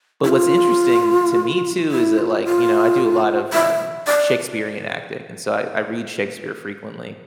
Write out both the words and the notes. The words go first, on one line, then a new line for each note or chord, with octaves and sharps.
But what's interesting to me, too, is that, like, you know, I do a lot of, um, Shakespearean acting and so I I read Shakespeare frequently,
E4
F4
E4
F4
F4
E5
D5